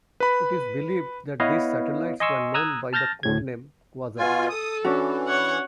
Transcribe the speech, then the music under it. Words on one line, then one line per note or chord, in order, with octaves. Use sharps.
It is believed that these satellites were known by the code name "Quasar".
B4 B5
B3 E4 B4 C#5 D#5 F5
D#5 G#5 C6 C#6 E6
A#5 D#6 E6 F#6 G#6
A5 F6 G6 A6 A#6
D2 A2 G#6
B2 F4 G#5
A4 D#6
E3 C#4 D4 F#4
C#5 F#5